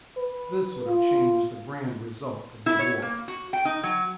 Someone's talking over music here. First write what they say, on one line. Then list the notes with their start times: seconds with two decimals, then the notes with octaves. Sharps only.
This would have changed the grand result of the war.
0.17 B4
0.87 F4
2.66 E4
2.79 C#5
3.02 A#3
3.28 F#4
3.53 G5
3.65 D#4
3.83 F#3